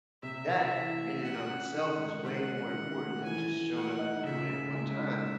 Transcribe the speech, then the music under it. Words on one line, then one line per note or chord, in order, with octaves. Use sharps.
That, in and of itself, is way more important than just showing up and doing it one time.
C3 E5
C3
E3
A3
C3 F#5
C#4
D#3 F#5
G#3
C3 F#5
C#4
D#3
A3
E3 G#5
E3
A3 F#5
D#4
C#3 E5
C#3
G#3 E5
D#4